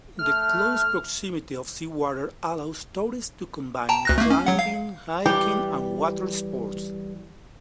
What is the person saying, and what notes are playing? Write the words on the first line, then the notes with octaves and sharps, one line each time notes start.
The close proximity of seawater allows tourists to combine climbing, hiking and water sports.
A3 F6
G5 A5 A#5
D2 F#6 A#6
A3 A#3
C#4
F#3 F#5
F5
E3 G3 G4